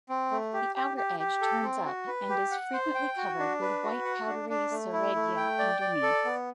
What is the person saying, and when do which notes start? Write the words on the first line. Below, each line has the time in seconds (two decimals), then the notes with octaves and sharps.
The outer edge turns up and is frequently covered with white powdery soredia underneath.
0.09 C4
0.31 A3
0.53 G4
0.75 G4
0.97 G4
1.19 G4
1.41 A4
1.63 C4
1.85 F#4
2.07 B4
2.29 G4
2.51 F#5
2.73 C5
2.95 G5
3.17 F#4
3.39 D4
3.61 B4
3.83 F#4
4.05 F#5
4.27 D4
4.49 D4
4.71 A3
4.93 E4
5.15 A3
5.37 G5
5.59 D5
5.81 D5
6.03 A4
6.25 B3